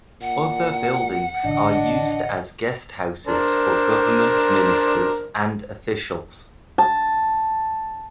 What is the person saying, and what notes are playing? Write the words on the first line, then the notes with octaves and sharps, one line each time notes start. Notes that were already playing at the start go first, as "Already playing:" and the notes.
Other buildings are used as guesthouses for government ministers and officials.
A#2 F#5
A1 D3 D4 D#5
D4 A#4 C5
A5